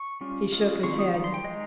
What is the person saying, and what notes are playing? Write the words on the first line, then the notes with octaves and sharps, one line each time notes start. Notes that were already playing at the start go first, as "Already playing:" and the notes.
He shook his head.
Already playing: C#6
G3 C#4 F4
G#3 C#4 F4
D#3 G#3 C4 F4 C#6
D#6
D#3 G3
C6
G5
G#3 D#4 D#5